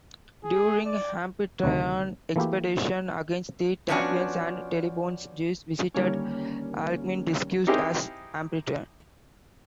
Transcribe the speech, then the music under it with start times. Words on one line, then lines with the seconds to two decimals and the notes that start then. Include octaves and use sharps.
During Amphitryon's expedition against the Taphians and Teleboans, Zeus visited Alcmene disguised as Amphitryon.
0.44 G#4
0.86 D5
1.64 D2 C3 D#3
2.36 E3 A3 A#3 E4 F#4 G4
3.88 F3 A3 B3 C#4 D4 F#4
5.94 D3 D#3 G3 A#3 C#4
7.67 C4 D#4 E4 G4 G#4 A#4